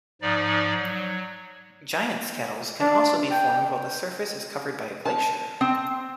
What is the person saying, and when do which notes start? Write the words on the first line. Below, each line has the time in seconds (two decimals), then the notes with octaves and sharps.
Giant's kettles can also be formed while the surface is covered by a glacier.
0.22 G#2 F3 D#4 D5
0.80 F#3
2.81 D4
3.31 G5
5.05 A5
5.61 C4